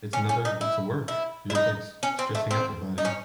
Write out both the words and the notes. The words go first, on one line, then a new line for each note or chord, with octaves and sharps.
it's another it's a work. You're, like, s stressing out their body,
C#4
C#4
D#4
E4
E4
E4
D#4
C#4
C4
A3
C4
D#4
C#4